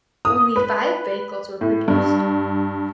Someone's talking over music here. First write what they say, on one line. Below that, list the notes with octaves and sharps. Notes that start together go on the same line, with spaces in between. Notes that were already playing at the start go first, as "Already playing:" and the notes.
Only five vehicles were produced.
D#6
B4
A2
G2